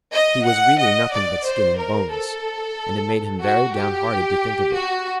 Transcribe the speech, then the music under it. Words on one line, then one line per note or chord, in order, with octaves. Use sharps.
He was really nothing but skin and bones, and it made him very downhearted to think of it.
D#5
F#5
D#5
D5
C5
A#4
A4
F#4
G4
F#4